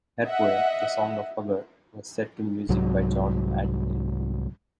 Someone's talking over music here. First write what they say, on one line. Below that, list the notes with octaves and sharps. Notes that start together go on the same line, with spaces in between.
Her poem "The Song of Hagar" was set to music by John Antill.
D#5 E5 F#5
C2 G#2 F#3